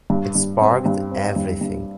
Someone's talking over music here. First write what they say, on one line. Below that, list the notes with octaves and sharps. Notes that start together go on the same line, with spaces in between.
It sparked everything.
G2
G2
C4
G2
C4
G2
G2